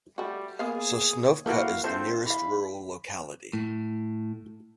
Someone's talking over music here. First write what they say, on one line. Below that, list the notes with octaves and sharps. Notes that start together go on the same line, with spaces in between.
Sosnovka is the nearest rural locality.
G3 A3 F#4
A#3 B3 G#4 F5
A#3 E4 F#4 A4 B4 F5
D3 C4 F4 A4 C5 E5 A5
E3 F5 B5
A2